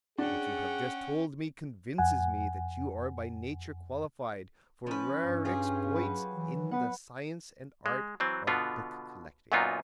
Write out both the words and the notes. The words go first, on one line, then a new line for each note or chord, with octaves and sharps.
What you have just told me convinces me that you are by nature qualified for rare exploits in the science and art of book-collecting.
C#4 D4 G#4 F#5 G5
F2 F#5 G#5
F3 C#4 B4
G2
F4 G4 G#4
F#3 B4
E3
B3 B4 F#5
G#3
E3 F#3 C4
B2 D3 B3 F4
F#2 A#2 F#3 B3 D#4 F4